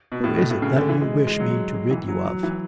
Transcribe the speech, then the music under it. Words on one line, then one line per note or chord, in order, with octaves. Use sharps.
Who is it that you wish me to rid you of?'
B2
A2
B2
A2
C#3
D3
E3
G#3
G#3
F#3
E3
F#3
F#3
E3